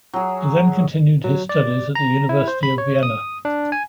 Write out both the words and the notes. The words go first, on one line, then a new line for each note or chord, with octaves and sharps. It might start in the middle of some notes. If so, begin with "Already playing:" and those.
He then continued his studies at the University of Vienna.
F#3 G#4
F#3
D5
A#5
E4
C5
B5
C#5
D#6
D4
G#5